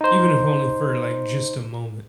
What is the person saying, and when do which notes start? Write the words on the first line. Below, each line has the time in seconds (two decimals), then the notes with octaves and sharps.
Even if only for, like, just a moment.
0.01 D#4 C5